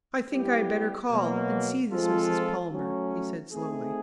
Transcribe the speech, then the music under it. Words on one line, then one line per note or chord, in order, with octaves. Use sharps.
"I think I had better call and see this Mrs. Palmer," he said slowly.
G3 B3 E4 G4
B2 F#3 A#3
F3 G#3 C4 F4 A4
F#3 A3 C#4
A3 C4 D#4 G#4